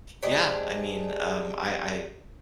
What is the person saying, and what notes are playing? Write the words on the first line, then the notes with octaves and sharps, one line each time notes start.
Yeah, I mean, um, I I
C3 G#3 D4 G#4